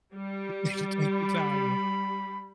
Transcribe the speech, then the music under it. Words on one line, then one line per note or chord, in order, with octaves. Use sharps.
T take your time with
G3
B5